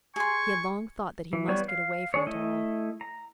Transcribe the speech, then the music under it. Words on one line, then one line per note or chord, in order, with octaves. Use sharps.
He had long thought that he must get away from it all.
G#4 G#5 C6 C#6
E3
G3 B3 C#5
F5
D4 G#4 C#5
A3 E4 D#5
A#5